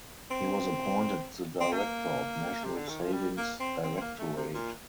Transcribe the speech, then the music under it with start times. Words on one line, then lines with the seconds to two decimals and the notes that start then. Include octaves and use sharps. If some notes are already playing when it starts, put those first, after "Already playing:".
He was appointed the Director of National Savings Directorate.
0.31 C4
1.61 C4
1.73 A#3
2.64 C3
2.77 D3
2.88 D#3
3.01 F3
3.13 G3
3.37 A#3
3.60 C4
3.84 C4
3.97 C4
4.01 A#3
4.19 A3
4.36 C3
4.54 A#2